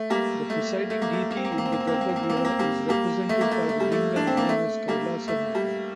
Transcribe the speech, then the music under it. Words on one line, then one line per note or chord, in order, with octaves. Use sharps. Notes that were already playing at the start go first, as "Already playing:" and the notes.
The presiding deity in the garbhagriha is represented by the "lingam" known as Kailasanathar.
Already playing: A3
G3 A#3
A3
A3
A#3
A3
A#3
C4
A#3
C4
A#3
C4
A#3
C4
A#3
C4
A#3
C4
A#3
C4
A#3
C4
A#3
C4
G3 A#3
G3 A#3
A3
A#3
A3
A3
G3
A3
D4
C4
A#3
A3
G3 A#3
A3
G3